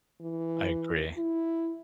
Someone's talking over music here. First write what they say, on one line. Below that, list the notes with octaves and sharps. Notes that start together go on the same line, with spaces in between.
I agree.
E3
E4